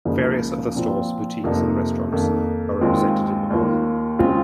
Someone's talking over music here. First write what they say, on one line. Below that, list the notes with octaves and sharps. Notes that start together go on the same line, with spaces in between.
Various other stores, boutiques and restaurants are represented in the mall.
C#2 C#3 F3 A#3 D#4
A#2 F3 C4 F4
F2 C3 F3 A#3 D#4
F2 D#3 A#3
D#2 D#3 G#3 C4 F4
D#2 D#3 A#3 F4
C#3 G#3 C4 F4